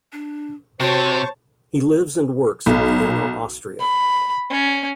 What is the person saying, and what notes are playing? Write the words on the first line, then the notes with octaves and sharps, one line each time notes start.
He lives and works in Vienna, Austria.
D4
C3 F#4 C5 C#5 A5 C#6
B1
B5
C#4